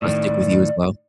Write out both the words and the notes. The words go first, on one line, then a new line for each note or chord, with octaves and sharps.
uh, stick with you as well?
A2 D#3 D5